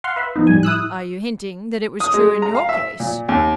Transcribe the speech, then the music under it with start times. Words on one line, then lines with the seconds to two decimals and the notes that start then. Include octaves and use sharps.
"Are you hinting that it was true in your case?"
0.04 F5 F#5 C6
0.16 B4 E5 B5
0.36 F3 B3 D#4
0.47 A2 G3 G#5
0.63 E4 D#6 E6 F#6
2.00 D#6
2.14 G#3
2.42 A#5
2.55 F5
2.69 E5
3.00 A#2
3.29 D#2